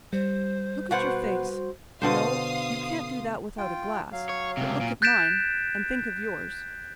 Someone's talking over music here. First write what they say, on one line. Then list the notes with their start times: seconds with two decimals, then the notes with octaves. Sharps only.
Look at your face--no; you can't do that without a glass--but look at mine, and think of yours.
0.13 G3 C5
0.91 B2 F#4 B4 C5 F#5
2.02 B2 D3 C5 F5 C6 D#6
3.58 F4 G5
4.12 F#3 F5
4.29 C#5
4.57 C#2 C3
4.81 A#2
5.02 F#6 G6 A6 B6 D7 E7